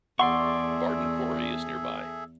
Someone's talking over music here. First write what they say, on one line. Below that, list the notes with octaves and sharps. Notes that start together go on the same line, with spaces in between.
Bardon Quarry is nearby.
E2 G#4 A4 D5 E5 F#5 C6 C#6